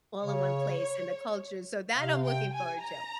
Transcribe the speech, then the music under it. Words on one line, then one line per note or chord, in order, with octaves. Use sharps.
all in one place and the culture, so, that I'm looking forward to.
C#3 C#5
C3 F5
G5
G#5
A#5